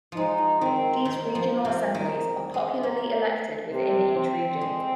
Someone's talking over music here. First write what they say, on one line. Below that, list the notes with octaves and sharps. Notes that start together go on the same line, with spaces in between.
These Regional Assemblies are popularly elected within each region.
F3 G#3 D#4
D#3 C4
D#3
F3
C3
D#3
G#3
A#3
C3
C4
G#3